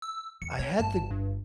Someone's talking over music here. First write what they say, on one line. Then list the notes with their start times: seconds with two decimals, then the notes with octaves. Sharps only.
I had the
0.02 E6
0.42 E2 C#7
0.59 C4 C#5
0.80 G1 A5
1.11 G2